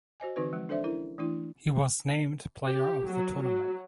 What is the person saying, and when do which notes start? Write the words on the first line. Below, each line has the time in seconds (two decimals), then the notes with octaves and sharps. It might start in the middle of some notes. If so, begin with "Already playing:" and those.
He was named player of the tournament.
0.20 F#4 C5 D#5 G#5
0.36 D3 E3 C4 D#4 F#4 B4
0.53 F3 G#3
0.69 D4 A4 C5 D5 E5
0.84 C#4 E4 A#4
1.18 E3 A3 D4 E4
2.66 G4
3.08 F#3
3.40 F#3